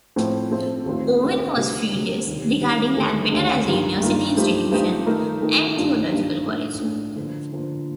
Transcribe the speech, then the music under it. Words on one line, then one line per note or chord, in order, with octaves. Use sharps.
Owen was furious, regarding Lampeter as a university institution "and" theological college.
A2 F3 A3 C4
A2 F3 A3 C4
D#2 D#3 A3 C4 F4
D#2 D#3 A3 C4 F4
D2 C3 G3 D4
D2 C3 G3 D4
D#2 D#3 G3
D#2 D#3 G3
D#2 D3 A3 D4 A4
D#2 D3 A3 D4 A4
G2 D#3 G3 A#3 F4
G2 D#3 G3 A#3 F4
G2 F3 A3 D#4 G4
G2 F3 A3 D#4 G4
D#3 A3 D#4 A#4
D#3 A3 D#4 A#4
G2 D#3 A#3 D4 F4
G2 D#3 A#3 D4 F4
A2 A3 D4
A2 A3 D4
D3 F3 A#3
D3 F3 A#3